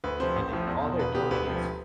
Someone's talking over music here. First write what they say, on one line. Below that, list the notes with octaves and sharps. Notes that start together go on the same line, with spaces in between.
and it all they're doing is
D2 B4
C3 F3 C5
A1
A2 F3
E2
B2
E1 B4
E2 B2 G4
D2 B4
C3 F3